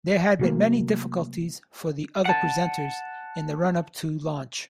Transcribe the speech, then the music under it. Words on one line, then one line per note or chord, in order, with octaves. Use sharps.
There had been many difficulties for the other presenters in the run-up to launch.
C3 F#3 A3 A#3
F#5 A5